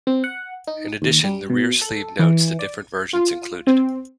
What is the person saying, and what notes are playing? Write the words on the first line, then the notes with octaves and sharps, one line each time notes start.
In addition, the rear sleeve notes the different versions included.
C4
F#5
D#4
D#2
G3
B2
A4
E3
D5
F4
C4